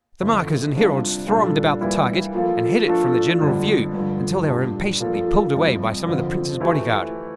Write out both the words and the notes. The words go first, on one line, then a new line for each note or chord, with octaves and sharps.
The markers and heralds thronged about the target and hid it from the general view until they were impatiently pulled away by some of the Prince's bodyguard.
F2 D3 A3 E4
C3 G3 D4 F4
A#2 G3 D4 F4 A4
E3 G3 A#3 E4
F3 A#3 F4 A4
F3 A3 D4 A4
F2 D3 G3 D4 A4
G2 D3 F3
A#2 G3 D4 G4
F3 A#3 F4 A4
F2 C3 G3
F2 D3 F3 C4
E3 A3 E4 G4